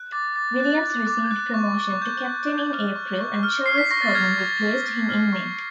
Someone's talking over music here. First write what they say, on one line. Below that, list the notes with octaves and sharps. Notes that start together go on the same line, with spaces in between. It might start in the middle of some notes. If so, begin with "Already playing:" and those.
Williams received promotion to captain in April, and Charles Cotton replaced him in May.
Already playing: F#6
D6 A6
D6 A6
F#6 A6
F#6
D6
F#6
C#6
C#6
F#6 G6
F#6
C#6
F6
C#6
C#6
F6
F6 C7
B6
C#6 A#6
A6
F6 G#6
C#6 G#6
A6
C#6
A6
F6 A#6
F6
C#6